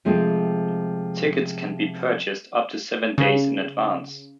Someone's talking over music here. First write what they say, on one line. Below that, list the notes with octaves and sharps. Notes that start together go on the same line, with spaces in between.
Tickets can be purchased up to seven days in advance.
C3 F3 G#3 A3 C4
C#3